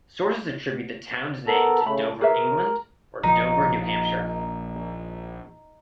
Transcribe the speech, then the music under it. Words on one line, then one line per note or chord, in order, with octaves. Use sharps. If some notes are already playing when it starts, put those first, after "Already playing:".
Sources attribute the town's name to Dover, England or Dover, New Hampshire.
B3 A4 A#4
C#3 A3 B5
G#4 A#4 B4 E5
A#1 F3 D#4